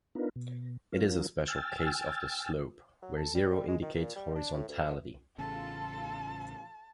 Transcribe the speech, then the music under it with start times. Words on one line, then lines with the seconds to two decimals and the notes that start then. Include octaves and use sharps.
It is a special case of the slope, where zero indicates horizontality.
0.15 B3 D4 D#4 F4 A#4 B4
0.36 B2
0.92 F#3 C#4 F4 A#4
1.48 G5 G#5 E6 F6 A6
3.02 F#3
3.17 A4
3.34 G3
3.51 G3
3.68 G#3
3.82 D#3
3.96 A#2
4.16 G3
4.35 D4
4.54 A2
4.68 D2
4.86 D3
5.38 A1 C#3 F4 A4 A5